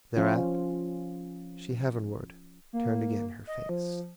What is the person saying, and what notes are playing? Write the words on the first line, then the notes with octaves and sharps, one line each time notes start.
Thereat she heavenward turned again her face.
F3 C#4 F4
A#3
D#5
F3